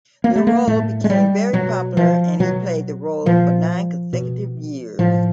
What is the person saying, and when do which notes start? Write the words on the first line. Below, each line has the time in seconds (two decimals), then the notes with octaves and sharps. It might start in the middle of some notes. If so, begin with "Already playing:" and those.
The role became very popular and he played the role for nine consecutive years.
0.24 A#3
0.36 A3
0.47 A#3
0.67 A2 A3
1.04 G#3
1.10 G3
1.53 B2 F#3
1.97 F3
2.40 B2 F#3
3.26 A#2 F3
4.13 B2
4.99 A2 F3